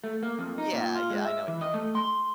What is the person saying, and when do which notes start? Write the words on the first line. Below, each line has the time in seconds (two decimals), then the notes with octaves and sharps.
Yeah, yeah, I know what you mean.
0.04 A3
0.23 A#3
0.39 F2
0.58 D#4
0.73 A#2
0.95 F4
1.10 G#3
1.25 E5
1.48 E3
1.61 D#5
1.74 A3
1.95 C6